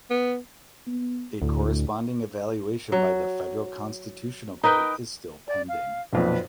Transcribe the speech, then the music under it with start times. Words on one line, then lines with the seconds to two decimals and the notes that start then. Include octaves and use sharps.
A corresponding evaluation by the Federal Constitutional Court is still pending.
0.10 B3
0.87 B3
1.42 D2 A2
2.92 F#3
4.64 D#4 A#4 B4 G5
5.48 D5
5.69 F5
6.13 B1 F2 A#2 B4